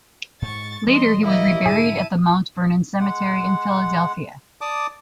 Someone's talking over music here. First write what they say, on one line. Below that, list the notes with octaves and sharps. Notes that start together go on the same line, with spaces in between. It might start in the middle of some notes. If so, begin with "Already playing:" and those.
Later, he was reburied at the Mount Vernon Cemetery in Philadelphia.
G#2 C#6 A6
E3 G3 A3 D#5 C6
A#3 E4 D#5
G#2 D3 G#4 A5 D#7
G#3 F#5
D5 A5 D6 D#6